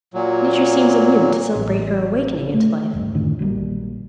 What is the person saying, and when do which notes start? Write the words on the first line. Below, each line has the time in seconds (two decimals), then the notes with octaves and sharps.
Nature seems anew to celebrate her awakening into life.
0.14 A#2 F#3
1.55 A1
2.54 A3
2.93 G#1 D2 G2
3.15 F#2 A2 D3 D#3
3.39 A#1 F#3 G3 A#3